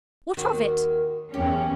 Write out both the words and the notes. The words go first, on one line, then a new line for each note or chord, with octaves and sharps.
"What of it?"
D#2 D#3 F#4
E2 C#4 G4